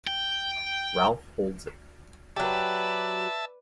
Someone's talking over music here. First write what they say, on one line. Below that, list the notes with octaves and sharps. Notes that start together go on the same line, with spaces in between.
Ralph holds it.
G5
F#3 G4 B4 D5 E5 A5